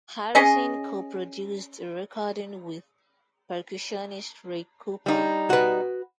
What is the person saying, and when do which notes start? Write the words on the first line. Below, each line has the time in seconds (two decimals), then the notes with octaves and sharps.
Harrison co-produced the recording with percussionist Ray Cooper.
0.35 C#4 G#4 D#5
5.06 G3 D#4
5.50 F#4 B4